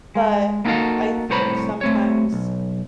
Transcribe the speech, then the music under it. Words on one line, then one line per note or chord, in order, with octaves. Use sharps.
but, I think sometimes
G#3
A#3 B3 D#4 F#4 A4 F5
C2 A2 C5 C#5 A#5 B5
A3 C4 C#5
B1